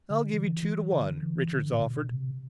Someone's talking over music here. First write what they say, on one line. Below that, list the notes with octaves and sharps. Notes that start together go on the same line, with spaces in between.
"I'll give you two to one," Richards offered.
D3
E3
E3
D3
E3
D3
A2
B2
C3